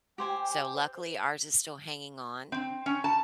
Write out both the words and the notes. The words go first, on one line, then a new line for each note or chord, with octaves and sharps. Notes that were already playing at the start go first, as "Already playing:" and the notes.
So, luckily, ours is still hanging on,
G4 C5 G5 G#5
C5
C4
C#4
A5